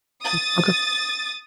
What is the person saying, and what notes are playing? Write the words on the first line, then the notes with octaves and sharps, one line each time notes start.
Hm. Okay.
D#6 A6